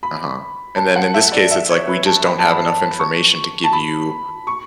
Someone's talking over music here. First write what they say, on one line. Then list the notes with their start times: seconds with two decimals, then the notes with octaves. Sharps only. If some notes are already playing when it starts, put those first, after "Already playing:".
Uh-huh, and then in this case, it's, like, we just don't have enough information to give you
0.03 B5
0.76 A5
0.96 F#5
1.14 E5
1.32 D5
1.51 E5
1.70 C#5
1.87 B4
2.06 A5
2.25 B5
2.39 A5
2.52 B5
2.99 C#6
3.64 A5
3.73 B5
4.47 C#6